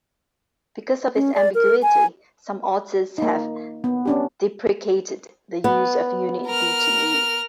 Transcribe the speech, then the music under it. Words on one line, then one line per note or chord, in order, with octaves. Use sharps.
Because of this ambiguity, some authors have deprecated the use of the unit Btu.
C#4
D5
A#4
G#5
A#3 D#4
B3
C#4 D4 G4
B3
A#4 F6